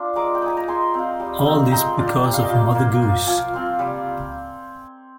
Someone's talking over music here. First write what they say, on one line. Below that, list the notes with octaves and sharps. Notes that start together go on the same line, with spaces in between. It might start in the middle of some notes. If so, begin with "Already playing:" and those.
All this because of Mother Goose.
Already playing: D4 F4
G#3 A#5 D6
G5
D#4 G#5
A#5
G#3 G#5 C6
C4 F4
G3
C4 D#4
G#3 G5 A#5
D4 F4
G3 G5
F5
D#5 G5
A#3 F4
A#3
F4
F3 F5 G#5
C4 F4
G3